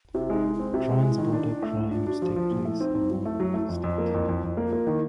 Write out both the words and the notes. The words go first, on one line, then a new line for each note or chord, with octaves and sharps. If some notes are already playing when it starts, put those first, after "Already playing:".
Transborder crimes take place in more than one state.
C3 E4
G#3 D#4
G#3
E4
C4
C3
G#3
G#3
D#3
D4
D4
A3
A2
D4 F4
D4 F#4
F3 F#4
F3 F4
A#2 E4
A3
C4 D#4
C4
F#3 E4
A3
F#3
A3
F2 F4
F2
F4
A#3
E4
F2
F2 E4
F2
A#3
F4
A#3
D#3 E4